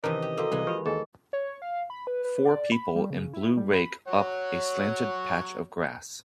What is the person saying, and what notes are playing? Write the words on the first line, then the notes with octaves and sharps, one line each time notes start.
Four people in blue rake up a slanted patch of grass.
C3 D#3 E3 C#4 A#4 D#5 A5
G4
A#3 F#4 G4 A4 A#4
C2 E3 G#3
F3 G4 B5
D#2 G#4 A4 D#5 G#5
C#5
F5
B5
B4
B4
D5
B5
G3
C#3
E4
G3
B5
F#3 C#5 F#5